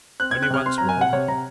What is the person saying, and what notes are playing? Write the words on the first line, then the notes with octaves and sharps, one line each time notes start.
"Only once more."
C4 F#6
C4 G#6
F#6
C3 F6
C4 C6
F#3 A#5
G#5
C3 F#5
C3 C#5
C3 A#5